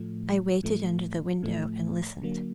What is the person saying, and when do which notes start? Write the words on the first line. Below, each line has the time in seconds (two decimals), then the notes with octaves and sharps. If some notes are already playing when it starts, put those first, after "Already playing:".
I waited under the window and listened.
Already playing: A2 F3 A3
0.63 A2 F3 A3
1.43 A2 F3 A3
2.22 D3 F#3 A#3